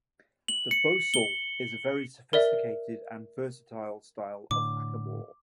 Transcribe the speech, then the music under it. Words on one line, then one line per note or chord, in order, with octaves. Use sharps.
The bosal is a very sophisticated and versatile style of hackamore.
F#7
C#7
G7
A#4 D5 E5
A2 D3 D6